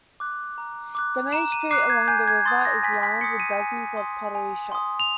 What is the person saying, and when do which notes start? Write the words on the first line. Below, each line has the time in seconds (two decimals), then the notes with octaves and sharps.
The main street along the river is lined with dozens of pottery shops.
0.20 D6 F#6
0.58 A#5
0.95 D6 F#6
1.33 A#5 E7
1.52 D#7
1.71 D6 F#6 C7
1.90 G#6
2.08 G#5 G6
2.28 G#6
2.46 C6 D#6 A6
2.65 A#6
2.83 G#5 B6
3.03 B6
3.21 C6 D#6 C#7
3.40 D#7
3.60 G#5
3.97 C6 D#6
4.35 G#5
4.72 C6 D#6
5.00 F7